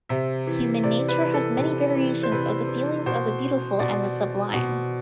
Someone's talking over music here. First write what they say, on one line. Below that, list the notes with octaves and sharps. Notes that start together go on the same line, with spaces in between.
Human nature has many variations of the feelings of the beautiful and the sublime.
C3 E5
E3
C3 D5
B4
E3
A4
C3
E3
C5
C3 B4
E3
B2 C5
B2 D5
B2